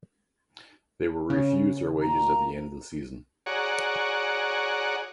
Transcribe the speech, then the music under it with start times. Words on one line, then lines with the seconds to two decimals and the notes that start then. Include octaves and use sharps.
They were refused their wages at the end of the season.
1.30 C#3 C#4
2.02 A#2 A#5
3.46 F#4 G#4 C#5 D5 F#5 A#5